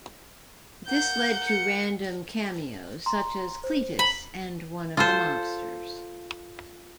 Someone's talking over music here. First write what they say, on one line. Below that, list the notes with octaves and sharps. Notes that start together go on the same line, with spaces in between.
This led to random cameos such as Cletus and one of the mobsters.
A#3 A#4 F#5 G6
C#7
A#5 C6
C5
B5
F4 A4 C5